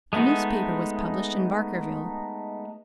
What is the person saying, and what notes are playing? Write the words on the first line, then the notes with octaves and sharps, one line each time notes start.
A newspaper was published in Barkerville.
G#3 A3 B3 D#4